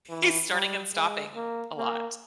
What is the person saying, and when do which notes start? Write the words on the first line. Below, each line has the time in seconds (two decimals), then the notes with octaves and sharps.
he's starting and stopping a lot.
0.09 E3
0.51 G3
0.94 G#3
1.36 A#3
1.77 A#3